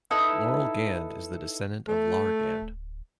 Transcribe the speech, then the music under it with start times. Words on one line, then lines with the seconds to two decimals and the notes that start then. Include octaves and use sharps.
Laurel Gand is the descendant of Lar Gand.
0.11 D#4 E4 A4 B4
1.88 A3
2.62 D1